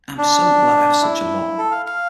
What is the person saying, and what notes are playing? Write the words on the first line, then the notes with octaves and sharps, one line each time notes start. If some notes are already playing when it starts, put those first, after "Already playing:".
I’m so glad I have such a lot.
D4
E4
A4
F5
F5